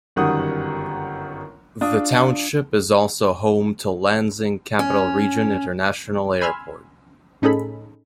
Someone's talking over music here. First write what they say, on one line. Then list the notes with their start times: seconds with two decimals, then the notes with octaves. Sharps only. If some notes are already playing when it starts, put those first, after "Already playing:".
The township is also home to Lansing Capital Region International Airport.
0.16 G1 F#2 D#3 G3 F#5 D#6
1.81 D4 F4 D#6
4.79 C#4
6.41 G#5 B5 C6 E6 F6 G#6
7.42 A2 C#4 D#4 G#4 A4 B5